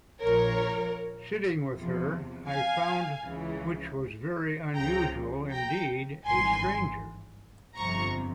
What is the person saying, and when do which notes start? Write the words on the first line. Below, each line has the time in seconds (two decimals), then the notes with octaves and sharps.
Sitting with her, I found — which was very unusual indeed — a stranger.
0.21 A#1 A#2 F3 A#4 C#5
1.73 E2 C3 F3
2.48 F5 G#5
3.24 C#2 C#3 E3
4.75 C#2 C#3 F3 G5 A#5
5.51 G5 A#5
6.26 G#1 G2 E3 G#5 C6
7.77 G1 F2 C3 F3 A#5 C#6